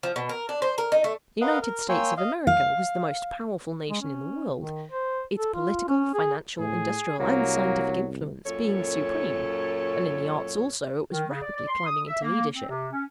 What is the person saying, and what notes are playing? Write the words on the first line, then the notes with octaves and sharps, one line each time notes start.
The United States of America was the most powerful nation in the world, its political, financial, industrial and scientific influence being supreme; and in the arts also it was rapidly climbing into leadership.
F3
B2
A#4
D4
C5
A#4
D#4
A3
A#4 B4 D#5 F5 F#5
A#4
A#3 C#5 G5 G#5 C6 E6
D#5 F5
F5
G#3
C#4
D#3
C5
A4
F4
C#4
G#4
A2 G#4
C2 F#3 A#3
F#2 A#2 A4 C#5
D#3
C#3
D5
D5
C6
D#6
E5
A#3
C4
C3
C#4